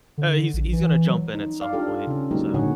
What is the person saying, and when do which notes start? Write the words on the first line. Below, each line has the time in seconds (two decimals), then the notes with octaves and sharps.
uh he's he's gonna jump in at some point, so
0.18 D3
0.53 A#1
0.73 E3
1.07 F#3
1.35 D#4
1.61 D5 F5
1.73 D4 F4 G4 A4
2.07 C#3 C#4
2.31 F#3 G#3 A#3 D#4 G4
2.54 A#2 D3 D#4 G#4 C#5 F#5